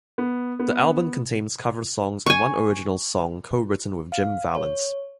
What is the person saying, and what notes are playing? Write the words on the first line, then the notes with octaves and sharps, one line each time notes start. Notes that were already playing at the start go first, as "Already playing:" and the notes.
The album contains cover songs and one original song co-written with Jim Vallance.
B3
B3
G#5 C#6
F5
C#5